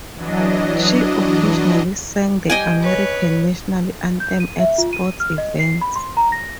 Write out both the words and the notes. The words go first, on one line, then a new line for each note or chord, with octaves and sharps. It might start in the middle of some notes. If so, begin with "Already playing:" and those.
She occasionally sang the American national anthem at sports events.
E3 F#3 D4 D#5
G3 D#5 G5 G#5
B4 C#5
G6
D#7
E5
F4
D#7
F6
D#5
C7
B5
C6
A#5
A#6